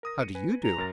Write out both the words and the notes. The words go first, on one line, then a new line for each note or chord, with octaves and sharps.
"How do you do?"
A#4 D#6 A#6
C#7 D#7
B4 G#5
A#5
F#2 A#4 A6